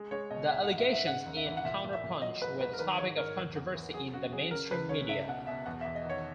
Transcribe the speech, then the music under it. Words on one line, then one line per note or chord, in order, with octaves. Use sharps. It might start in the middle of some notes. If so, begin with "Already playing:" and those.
The allegations in "CounterPunch" were the topic of controversy in the mainstream media.
Already playing: G#3
G#3 C#5
B2 D#5
G#2 E5
F#5
G#2
E5
G#2 E5
C#3 F#5
D#2
E5
E3
F#5
A#2 E5
A#2
E5
A#2
F#3 D#5
G#2 B4
G#2 B4
A#4
D#3 B4
G#2 C#5
G#2 A#4
E2
E2
E3
F#3 G#4
C#3 F#4
F#3 G#4
C#3 A#4
C#2 B4
C#3 C#5
C#2 E5
B2 F#5
B2 E5
E2 F#5
E5
E2
D#5
D#3 C#5